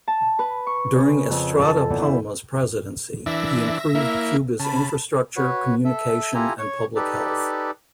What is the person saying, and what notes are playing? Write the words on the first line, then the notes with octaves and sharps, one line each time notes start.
During Estrada Palma's presidency, he improved Cuba's infrastructure, communication, and public health.
A5
B4
C#6
C#3
F2
A4
E2
E4
E3 D4 E5 A#6
A#3 E4
C#3 A5 B5
F#4 B4 C#5
A4 E5
E4 F4 G4 A4 G#5 A#5
C#5 C#6
D#4 G4 A4 B4 D5